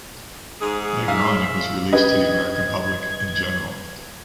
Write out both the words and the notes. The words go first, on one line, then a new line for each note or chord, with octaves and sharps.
Later on it was released to the American public in general.
G#2 G#4
E5 F5
C#4 D4 G4 G#4 B4 D#5 G#6